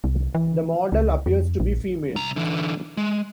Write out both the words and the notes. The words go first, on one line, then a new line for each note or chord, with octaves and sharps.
The model appears to be female.
C2
E3
C#2
F2
A#1
C2 A#5
D3 E3
G#3